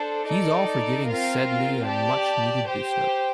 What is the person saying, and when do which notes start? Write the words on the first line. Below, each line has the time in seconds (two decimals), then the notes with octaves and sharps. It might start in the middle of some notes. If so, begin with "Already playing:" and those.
He's all for giving Sedleigh a much-needed boost-up.
Already playing: D4 A4 C5
0.28 D#4 A4 D5
1.08 C4 F4 A#4 F5
1.87 G4 D5 A5
2.66 G4 C5 G5